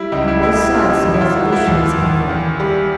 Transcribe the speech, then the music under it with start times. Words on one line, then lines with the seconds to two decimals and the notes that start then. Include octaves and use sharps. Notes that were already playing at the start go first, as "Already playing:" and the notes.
On both sides, the resolution was equal.
Already playing: G3 E4
0.12 C#2 D#4
0.28 E4
0.43 B2 E4
0.59 E4
0.74 B2 F4
0.90 D#4
1.05 D#2 D#4
1.14 E4
1.21 F4
1.36 D#3 F#4
1.52 E4
1.67 D#2
1.99 D#2
2.29 E2
2.60 G3